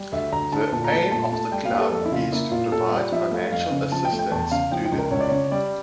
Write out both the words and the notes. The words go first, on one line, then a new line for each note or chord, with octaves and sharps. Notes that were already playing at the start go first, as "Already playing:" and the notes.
The aim of the club is to provide financial assistance to the team.
Already playing: G3
D2 E5
D2 A#5
D3 A5
A#2 A5
A#5
A3 A5
A#2 A5
A3 A5
G3 G5
F5
A#3 G4
A4
F2 A4
E4
C#3 F4
A#3 E4
A#2 F4
A#2 A4
G3 D5
F3 E5
A3 F5
F2 F5
C#3
F3 A5
G5
A3
G5
E2 A5
C#3 F5
F3 G5
G5
C#2
A#4
C#2 C#5
D5
C#3 C#5
G3 D5